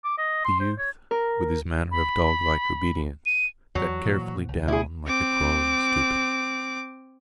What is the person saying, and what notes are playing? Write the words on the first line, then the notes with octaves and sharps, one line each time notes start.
The youth, with his manner of doglike obedience, got carefully down like a crone stooping.
D6
D#5
C6
C5
C#5
A#4
B5
D#7
E2 F#3
A#2 E3 F3
C#2
B2 A3 E4 G#4
C4 D6